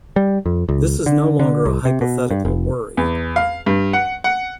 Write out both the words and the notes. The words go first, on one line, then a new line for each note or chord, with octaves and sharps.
This is no longer a hypothetical worry.
G3
F2
C#2
D3
D3
C2
C3
B2
G2
F1
E2
F5
G2
F#5
F#5